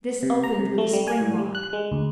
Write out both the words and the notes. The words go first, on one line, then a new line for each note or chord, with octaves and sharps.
This opened with a spring lock.
C3
A#5
C3
A3
G3
G#5
A2
G3
F#6
G#3
D2